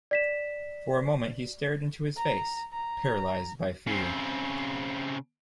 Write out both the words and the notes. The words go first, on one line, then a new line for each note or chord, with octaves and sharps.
For a moment he stared into his face — paralysed by fear.
D5 B6 E7
A#5
A#5
C#3 C4